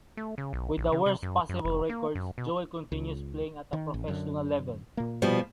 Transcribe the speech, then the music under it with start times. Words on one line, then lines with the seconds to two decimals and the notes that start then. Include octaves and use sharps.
With the worst possible records, Joel continues playing at a professional level.
0.17 A3
0.38 C#3
0.53 B1
0.78 A#1
0.92 C#3
1.06 C3
1.23 F#2
1.49 F#2
1.65 F1
1.89 A#3
2.15 F#2
2.38 B2
2.92 C#2
3.73 D#3
3.94 A1
4.08 F#2 D3
4.97 A#2 A#3
5.22 B2 F3 G3